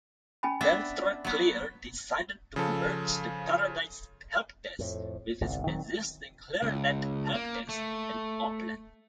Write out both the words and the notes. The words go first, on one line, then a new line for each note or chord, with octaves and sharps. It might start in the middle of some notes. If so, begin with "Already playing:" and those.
TelstraClear decided to merge the Paradise helpdesk with its existing Clearnet helpdesk in Auckland.
C#4 G#5 B5
B3 D4 E5
F#3 B3
C#3 F3 A4
F2 A2
G1 C2 C3
D#1 D#3 F#3 C4
C#2
A#3
A3